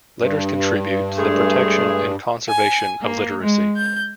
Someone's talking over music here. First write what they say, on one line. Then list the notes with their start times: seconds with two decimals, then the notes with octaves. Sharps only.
Letters contribute to the protection and conservation of literacy.
0.19 G2
1.17 G#3 A3 G#4
2.47 G#5
3.01 A#3
3.41 G#3
3.75 G6